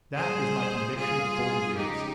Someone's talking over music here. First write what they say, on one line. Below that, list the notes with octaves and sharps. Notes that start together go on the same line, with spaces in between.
That is my conviction of forty years.
A#2 G3 G#4 C5
F4 G#4
C#3 F3 G#3 D#4 G4